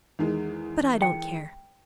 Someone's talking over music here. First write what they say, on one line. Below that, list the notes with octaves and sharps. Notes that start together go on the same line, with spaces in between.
But I don't care.
E2 D#3 G#3
G5